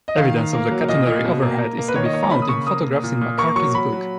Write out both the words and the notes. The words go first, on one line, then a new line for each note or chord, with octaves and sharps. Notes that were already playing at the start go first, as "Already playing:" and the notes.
Evidence of the catenary overhead is to be found in photographs in McCarthy's book.
D#5
D#3 F5
D#3
A#3
F#3
A#2 D#5
A#2
B2
A#3
A#3
A#3
B4
D#3 C#5
D#5
A#3 C#5
A#5
C#3 B5
D#6
C#3 C#6
A#3 D#6
A#3
A#2
A#2
A#3 C#6
F#3 C#6
F#3 B5
F#3